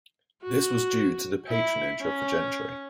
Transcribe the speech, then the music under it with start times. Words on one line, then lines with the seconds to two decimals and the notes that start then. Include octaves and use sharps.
This was due to the patronage of the gentry.
0.43 F#4
1.49 E4
2.01 C#4